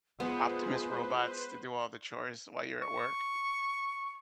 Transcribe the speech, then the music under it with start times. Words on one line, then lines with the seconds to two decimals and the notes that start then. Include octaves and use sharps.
Optimus robots to do all the chores while you're at work?
0.20 G#3 B3 F4 B4 C5
2.82 C#6